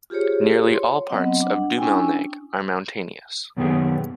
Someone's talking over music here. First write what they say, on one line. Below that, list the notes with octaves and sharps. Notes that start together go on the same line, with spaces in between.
Nearly all parts of Dumalneg are mountainous.
F4 G4 G#4 C5 C#5
C#5 C6
F#3 B3 C4 D#5 F#5
D4 F#5
C#4 D4 E4 G5 G#5
F#2 B2 D#3 G4 G#4 B4